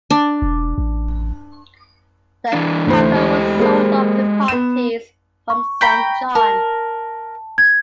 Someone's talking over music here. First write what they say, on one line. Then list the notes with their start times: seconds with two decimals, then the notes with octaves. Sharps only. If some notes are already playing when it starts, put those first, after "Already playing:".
The cargo was sold off to parties from Saint John.
0.10 D4
0.42 E1
0.78 A1
2.53 E3 D4
2.87 D2 C3 E3 A3 C5
3.15 G#3 G4 D#5
3.59 A#3 G#4 C5
4.48 B3 E7
5.50 C#6
5.81 G5 A#5 B5
6.35 A#4 A5
7.58 G#6